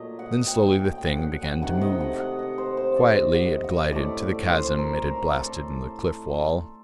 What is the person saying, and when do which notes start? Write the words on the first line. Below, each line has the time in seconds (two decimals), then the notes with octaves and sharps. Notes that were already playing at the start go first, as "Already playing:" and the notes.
Then slowly the Thing began to move; quietly it glided to the chasm it had blasted in the cliff wall.
Already playing: A#2 F#3 A3 D#5
0.19 F#5
0.47 G5
0.66 G5
0.85 G5
0.98 G5
1.05 F#5
1.24 F#5
1.43 F#5
1.62 C3 D#3 A3 F#5
1.81 D#5
2.01 F#5
2.20 F#5
2.39 D#5
2.58 C5
2.77 C5
2.96 D5
3.15 D#5
3.35 F#5
3.53 D#5
3.64 F#5
3.92 A2 A3 D5
4.40 D5
4.50 C5
4.67 C5
4.79 A#4
5.07 A#4
5.35 A4